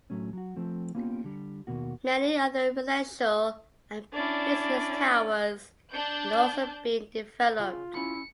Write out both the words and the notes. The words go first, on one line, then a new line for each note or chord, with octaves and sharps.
Many other residential and business towers are also being developed.
A2 F#3 A3 C#4
F#3 F#4
F3 A3 C4
A#3 B3 C#4 F4 G4
D3 G3
D#2 G#2 B2 A#3 F#4
C#4 D4 E4 D5
D4 A5 G6
C#3 F4
C#4 E4 B5 C#7